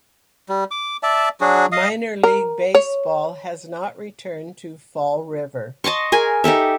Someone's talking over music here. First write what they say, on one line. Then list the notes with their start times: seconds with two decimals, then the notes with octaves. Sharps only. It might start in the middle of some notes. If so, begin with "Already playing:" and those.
Minor league baseball has not returned to Fall River.
0.49 G3
0.71 D6
1.03 D5 E5 A5
1.41 F#3 D4 F#4 G#4
1.72 D#5 F5 D#6
2.23 A#4
2.75 C#5
5.84 D#5 A5 C6 C#6
6.12 G#4 A#4 G#5
6.44 D#4 G4 A4 E5